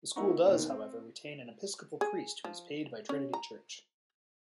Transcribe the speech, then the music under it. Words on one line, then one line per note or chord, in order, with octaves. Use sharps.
The school does, however, retain an Episcopal priest who is paid by Trinity Church.
A#3 D#4 E4 F#5 A#5 C#6
D#2 B2 D#3
C4
G#4
F3
C#4
A#5